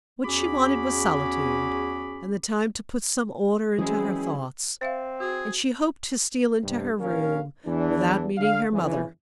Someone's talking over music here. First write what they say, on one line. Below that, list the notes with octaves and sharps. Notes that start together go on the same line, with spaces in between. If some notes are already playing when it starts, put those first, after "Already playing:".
What she wanted was solitude, and the time to put some order into her thoughts; and she hoped to steal into her room without meeting her mother.
E2 C#4 F#4 G#4 B5 D6
E3 F#3 G#3 C4 C#4 E4 G#4
C4 C5 E5 F5
F#4 G#4
G2 C3
A#1 D#2 D#3 C#4 A#4 F5
E2 E3 D4
D3 F5
G1 F2 C#3 E3